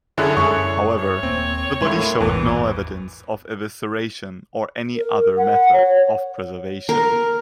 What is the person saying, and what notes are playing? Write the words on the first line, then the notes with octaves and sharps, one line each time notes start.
However, the body showed no evidence of evisceration or any other method of preservation.
F#2 D3 E4 G#4 C#5 F#6
F#2 G#3 C#4 E4 G#4 A4 C#6
C#5
D#1 A#3 C4
A2 G#3 A#3 E4 C6
E1 A1 E2 G#2 E3
A#4
F#5
C#5
A#4